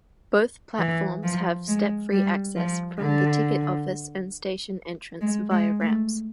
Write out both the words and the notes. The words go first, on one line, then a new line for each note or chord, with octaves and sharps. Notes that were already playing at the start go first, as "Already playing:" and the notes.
Both platforms have step-free access from the ticket office and station entrance via ramps.
E3
F3
G#3
G3
F3
D3
G#3
G#3
A3